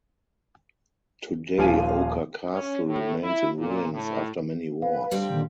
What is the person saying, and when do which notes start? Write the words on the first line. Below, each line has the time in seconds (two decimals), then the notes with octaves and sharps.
Today Oka Castle remains in ruins after many wars.
1.58 D#1 F3 F4 F5 G#5 D#7
2.52 C#4
2.88 A2
3.24 E4
3.59 A#2
3.94 A2
4.82 B4 F5
5.11 D2 G3 C4
5.30 A#2 D3 D#3